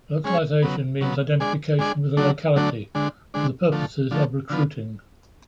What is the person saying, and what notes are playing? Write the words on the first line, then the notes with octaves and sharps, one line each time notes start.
Localization means identification with a locality for the purposes of recruiting.
G#3 C#4 G#4 C#5
C#3 F#3 B3
C#3 F#3 B3
G#3 D4 G#4 D5
G#3 D4 G#4 D5
D3 F#3 A3 D4
D3 F#3 A3 D4
D3 G#3 D4
D3 G#3 D4
D3 F3 A3
D3 F3 A3
D3 F3 B3